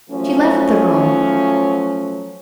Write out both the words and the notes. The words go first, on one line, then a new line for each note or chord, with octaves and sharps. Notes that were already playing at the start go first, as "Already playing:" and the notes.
She left the room.
F3 F#3 A3 C#4